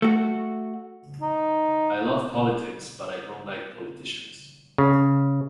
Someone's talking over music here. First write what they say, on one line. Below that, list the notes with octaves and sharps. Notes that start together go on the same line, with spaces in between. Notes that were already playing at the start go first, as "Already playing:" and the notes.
I love politics but I don't like politicians.
A3 F#4
D#4
C#3